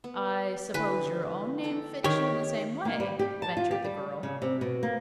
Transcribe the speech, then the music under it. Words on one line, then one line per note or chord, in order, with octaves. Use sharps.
"I suppose your own name fits you in the same way," ventured the girl.
B3
D3 E3 G4 B4
A4 G5 A#5
D#3 G4 C#5
A#3
G3
G4
A5
F4
G4
G3
C#3
C3
B2
A#3